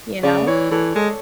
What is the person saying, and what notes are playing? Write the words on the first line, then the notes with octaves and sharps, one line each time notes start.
You know?
C#3 D5
E3 C#5
E3 A4
G#3 A4